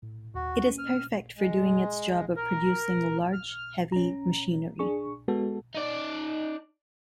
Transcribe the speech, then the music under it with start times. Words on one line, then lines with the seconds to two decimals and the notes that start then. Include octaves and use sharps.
It is perfect for doing its job of producing large, heavy machinery.
0.02 A2
0.35 D#2 F#4
0.66 A#3 C#4 D#7
0.78 F6
1.37 G#3
2.36 A#4
3.33 F6
3.92 C#4 A#5
4.79 D4 G#4 C#6
5.28 G#3 B3 F#4 A4
5.75 D#4 D5